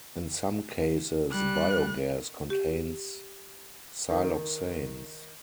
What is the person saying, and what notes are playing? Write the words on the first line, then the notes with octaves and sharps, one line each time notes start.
In some cases, biogas contains siloxanes.
G3 F#6
G4
D#3